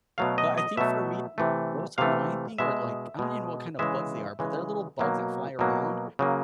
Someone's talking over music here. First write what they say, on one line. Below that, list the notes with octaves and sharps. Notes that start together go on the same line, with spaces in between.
but I think for me, th the most annoying thing are like I don't even know what kind of bugs they are, but they're little bugs that fly around
B2 F#3 A3 F5
D#5
D#5
B2 F#3 A3 E5
C3 E3 A3
C3 E3 A3 F5
B2 G#3 E5
B2 G#3
C#3 E3 G#3 E5
C#3 E3 G#3
B2 F#3 A#3
B2 F#3 A#3
C#3 F#3 A#3